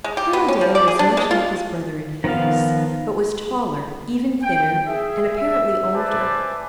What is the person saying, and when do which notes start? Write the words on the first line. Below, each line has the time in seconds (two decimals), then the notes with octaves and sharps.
Colonel Dale was much like his brother in face, but was taller, even thinner, and apparently older.
0.04 G#3
0.17 G4
0.33 B3
0.48 C#4
0.61 F3
0.75 D5
0.88 G#4
0.99 D4
1.17 G#3
1.31 F4
2.24 D#3 F3 B3 F4 F5
4.42 G5
4.86 G#4 E5
5.35 E5
5.93 B4 C5 D5 E5 G#5 A5